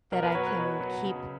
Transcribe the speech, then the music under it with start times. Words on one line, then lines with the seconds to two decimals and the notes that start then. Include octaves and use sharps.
that I can keep
0.12 B2 A#4
0.23 B4
0.34 F#3 C#5
0.47 B4
0.59 B2
0.80 F#3
1.05 C#3